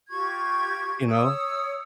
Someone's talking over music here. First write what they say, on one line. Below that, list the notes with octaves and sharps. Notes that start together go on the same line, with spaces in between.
you know?
F4 G4 C#6 G#6
C#5 D#6 E6